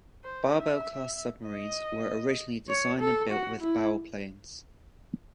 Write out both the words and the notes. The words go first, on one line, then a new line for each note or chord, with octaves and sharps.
"Barbel"-class submarines were originally designed and built with bow planes.
C5
E5
D#5
C#5
A4
F#4
E4